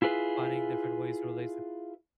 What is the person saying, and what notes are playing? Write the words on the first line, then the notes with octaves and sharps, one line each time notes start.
finding different ways to relate to
E4 F4 G#4 B4